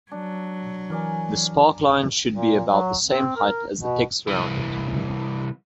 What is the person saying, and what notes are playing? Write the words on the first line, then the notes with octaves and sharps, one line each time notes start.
The sparkline should be about the same height as the text around it.
F#3 D4
E3 A#4 D5 G#5
A#2
F#3
C4
A#4
B2
C2 E3